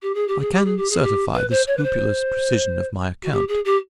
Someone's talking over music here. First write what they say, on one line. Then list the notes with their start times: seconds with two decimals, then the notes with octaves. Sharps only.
I can certify the scrupulous precision of my account.
0.02 G4
0.14 G#4
0.28 G4
0.40 G#4
0.52 G4
0.65 G#4
0.77 G4
0.90 G#4
1.02 G4
1.34 B4
1.50 C5
1.67 C#5
1.77 B4
1.83 C5
3.23 F#4
3.32 G4
3.48 G#4
3.65 G4